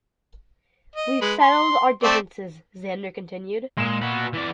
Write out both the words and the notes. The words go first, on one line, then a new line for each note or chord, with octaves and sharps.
"We've settled our differences," Zander continued.
D#5
G#3 B4
C6
A3 C4 D5
A#2 G#3 E7
F#4 B4
E3 D5